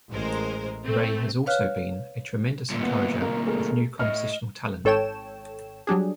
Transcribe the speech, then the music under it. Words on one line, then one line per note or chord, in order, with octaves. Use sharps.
Ray has also been a tremendous encourager of new compositional talent.
A1 G#3 A#4 C5
A3 C4
B4 C#5 F5 F6 F#6
D2 A#2
B3
A#3
A3 G#4 A#4
A2 D#5 F6
G#1 A4 C#5 G5 E7
F#3 G3 D4 G#4